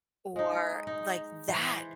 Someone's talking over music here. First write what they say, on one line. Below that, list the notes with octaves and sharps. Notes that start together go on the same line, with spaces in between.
or like that,
G#3 D#4
D#4
E3 C5